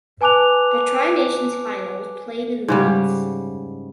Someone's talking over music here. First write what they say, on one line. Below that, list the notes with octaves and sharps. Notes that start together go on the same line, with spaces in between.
The Tri-Nations Final was played in Leeds.
B4 G#5 A5 D6 F#6 F7
G#2 C#3 G3